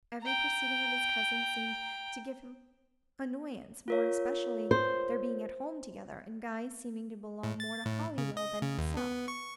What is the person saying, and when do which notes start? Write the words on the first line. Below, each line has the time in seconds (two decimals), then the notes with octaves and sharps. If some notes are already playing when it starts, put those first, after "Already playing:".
Every proceeding of his cousins seemed to give him annoyance, more especially their being at home together, and Guy's seeming to belong more to Hollywell than himself.
0.22 G5 A#5
3.88 F4 A#4 C#5
4.71 C5
7.43 A2
7.60 A6
7.86 A2
8.18 C#3
8.37 D#5
8.62 C#3
8.78 D#2
8.97 B3
9.28 C#6